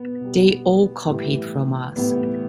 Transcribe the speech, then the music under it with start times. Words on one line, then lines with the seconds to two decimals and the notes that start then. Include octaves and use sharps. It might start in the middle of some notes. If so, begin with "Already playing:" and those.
They all copied from us.
Already playing: B2 B3
0.21 B2 G3
1.08 A2 E3 G3
1.96 A2 E3 G3 B3